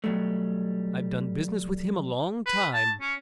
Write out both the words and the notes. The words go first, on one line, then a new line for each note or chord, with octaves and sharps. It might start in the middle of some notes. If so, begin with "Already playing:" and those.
I've done business with him a long time.
B2 D#3 F#3 G3 A3
B4
A5
C#4